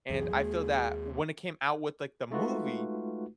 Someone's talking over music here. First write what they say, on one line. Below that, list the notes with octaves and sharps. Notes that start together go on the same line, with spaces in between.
and I feel that when it came out with, like, the movie,
C#2 F#2 E3 G#4
D#2 G#3 A#3
G#3 A3 D#4 F4 F#4 B4